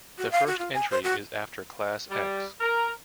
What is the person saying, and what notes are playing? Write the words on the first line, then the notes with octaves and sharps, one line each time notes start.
The first entry is after class X.
F#4
F5
F#4
F4
G#5
C5
F#4
G3
A#4